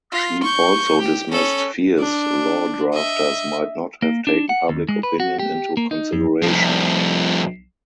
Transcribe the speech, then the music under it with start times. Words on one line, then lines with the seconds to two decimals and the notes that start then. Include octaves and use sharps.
She also dismissed fears law drafters might not have taken public opinion into consideration.
0.12 F4
0.43 C#6 G6
1.01 G4
1.32 C#4 A4
1.99 D4
2.93 D#5 E5
4.02 A#3
4.27 D4
4.49 F#5
4.69 D#2
4.89 G#3
5.03 B4
5.20 F#4
5.39 G4
5.77 A#3
5.91 D#4
6.13 F2
6.42 C2 F3